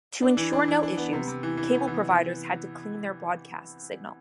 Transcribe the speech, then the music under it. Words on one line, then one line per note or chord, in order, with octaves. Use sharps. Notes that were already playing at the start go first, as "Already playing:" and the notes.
To ensure no issues, cable providers had to "clean" their broadcast signal.
D4
E3
D4
E3
D4
B3
C3
C3
E3
E3
B3
E3